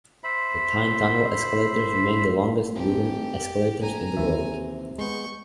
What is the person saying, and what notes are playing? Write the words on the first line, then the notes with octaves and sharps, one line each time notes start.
The Tyne Tunnel escalators remain the longest wooden escalators in the world.
C5 E5 B5
G#1 G4
A#1 G#5 A#5
D#2 C3 E3 E5
G#3 B3 C#6 G6